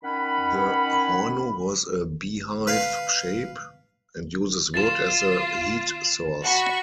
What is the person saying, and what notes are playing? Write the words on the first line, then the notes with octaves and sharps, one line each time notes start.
The horno has a beehive shape and uses wood as the heat source.
D#3 C#4 F#5 B5
B4 F5
F4 A6 E7
F#4 B5 C#6